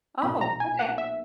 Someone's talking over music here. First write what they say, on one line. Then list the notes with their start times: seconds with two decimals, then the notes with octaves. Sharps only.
Oh, okay.
0.22 B1 A#2 A#3 B5
0.41 A#5
0.60 G#5
0.79 F#5
0.98 E5